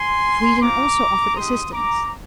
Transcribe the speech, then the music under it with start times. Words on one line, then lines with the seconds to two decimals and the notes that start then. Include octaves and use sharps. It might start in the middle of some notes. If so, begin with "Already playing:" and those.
Sweden also offered assistance.
Already playing: G#5 C6
0.61 C4 F4 A#5 D6
1.36 G#3 D#4 G4 C6 D#6
1.73 A#5 D6